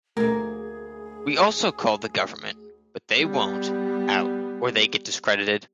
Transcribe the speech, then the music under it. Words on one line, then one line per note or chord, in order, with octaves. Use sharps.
We also called the government, but they won’t, out or they get discredited.
D2 A3 A#3 G#4 A#4 G#6
G3 B3